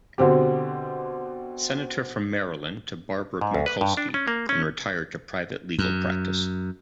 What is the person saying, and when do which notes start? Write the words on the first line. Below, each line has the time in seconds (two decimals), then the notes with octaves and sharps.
Senator from Maryland to Barbara Mikulski and retired to private legal practice.
0.18 B2 D3 C4 G4
3.41 G#2
3.54 D2
3.66 B4
3.81 G2
3.97 D4
4.14 C#4
4.28 A#3
4.49 C#4
5.79 F#2